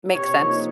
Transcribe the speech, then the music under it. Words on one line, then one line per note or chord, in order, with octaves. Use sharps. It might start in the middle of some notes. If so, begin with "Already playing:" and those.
makes sense.
C3 C#5
F3 A#3 D#4